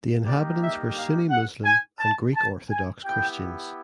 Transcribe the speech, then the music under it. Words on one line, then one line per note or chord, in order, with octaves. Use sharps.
The inhabitants were Sunni Muslim and Greek Orthodox Christians.
G3 A#3 D#4 G4 D5
E5
F5
F#5
G#5
A5
A5
G#5
B3 E4 G4 G5